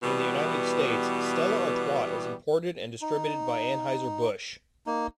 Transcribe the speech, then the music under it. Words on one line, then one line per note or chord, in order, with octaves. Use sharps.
In the United States, Stella Artois is imported and distributed by Anheuser-Busch.
B2 E3 G3 B3 G4
D#4
A#3 D#4